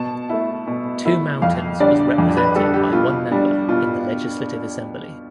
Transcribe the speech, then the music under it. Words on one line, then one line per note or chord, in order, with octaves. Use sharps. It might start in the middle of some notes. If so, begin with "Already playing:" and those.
Two Mountains was represented by one member in the Legislative Assembly.
Already playing: B2 A5
A3 E4
B2
A3 E4
F2 F5
D3 G3 D5
F2
B4
D3 G3 A4
G4
B2 F4
G3 D4
B2 F4